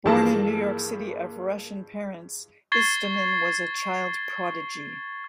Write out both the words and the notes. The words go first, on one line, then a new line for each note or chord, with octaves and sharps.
Born in New York City of Russian parents, Istomin was a child prodigy.
G2 E3 F3 A#3 G#4 A5 A#6
C#6 G#6 A6 C7 G7